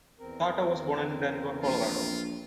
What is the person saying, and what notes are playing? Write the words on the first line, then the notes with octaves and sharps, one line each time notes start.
Carter was born in Denver, Colorado.
E2 C4 A#4
A#1 F4